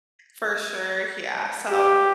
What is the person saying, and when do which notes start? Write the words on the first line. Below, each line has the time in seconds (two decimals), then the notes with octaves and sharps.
For sure, yeah, so,
1.70 G4